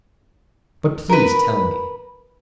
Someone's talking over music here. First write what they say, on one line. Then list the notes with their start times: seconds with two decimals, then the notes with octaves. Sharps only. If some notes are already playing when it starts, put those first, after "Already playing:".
"But please tell me."
1.09 A#4 B4